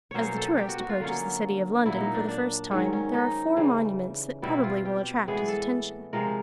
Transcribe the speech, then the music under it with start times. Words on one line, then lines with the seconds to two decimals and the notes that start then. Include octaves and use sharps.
As the tourist approaches the city of London for the first time, there are four monuments that probably will attract his attention.
0.11 B2 F#3 A#3 C#4 C5 C#5
0.37 A4
0.58 G4
0.69 F#4
0.80 F#4
0.89 F4
1.00 D3 F#3 A#3 C#4
1.86 A#2 F#3 A#3 E4
2.00 D#4
2.14 D4
2.28 D4
2.71 G#2 D#3 F#3 C#4
2.93 C#4
3.14 D#4
3.57 C#3 E3 G3
4.42 B2 G3 C4 E4
4.64 F4
4.85 G4
5.27 A2 E3 G#3 B3 G#4
5.48 A4
6.13 C3 F3 G#3 A#4